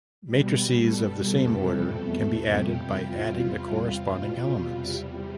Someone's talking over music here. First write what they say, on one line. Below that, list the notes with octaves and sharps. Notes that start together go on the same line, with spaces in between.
Matrices of the same order can be added by adding the corresponding elements.
B2 G3
B2 G3 A4
F2 C3 E3 G3
E2 B2 A3 A4
F2 C3 G3 G4
E2 C3 E3 G3 F4
E2 C3 G3 F4
B2 G3
E2 C3 G3